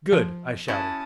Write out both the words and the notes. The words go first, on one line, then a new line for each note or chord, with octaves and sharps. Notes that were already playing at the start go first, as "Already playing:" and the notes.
"Good!" I shouted.
F3
C#4 E4 F#4 A5 D#6